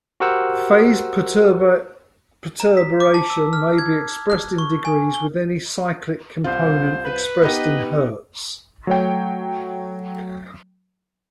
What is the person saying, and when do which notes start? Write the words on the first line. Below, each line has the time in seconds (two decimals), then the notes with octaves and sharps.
Phase perturbation may be expressed in degrees, with any cyclic component expressed in hertz.
0.20 F#4 G4 A#4 C5 F#5 E6
2.60 A#5
2.77 B6
3.00 D6
3.14 A5
3.30 E6
3.53 F6
3.78 G#6
4.30 F#6
4.58 C#6
4.85 G#5
5.14 G7
6.44 C2 F4 C5
7.05 B4
7.42 B3 D#4 G4 D#5
8.87 F#3 A3 C#5 G5